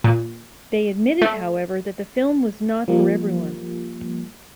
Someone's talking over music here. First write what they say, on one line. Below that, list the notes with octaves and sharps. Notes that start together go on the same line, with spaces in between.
They admitted, however, that the film was not for everyone.
A#2
A3
F3 G3 A#3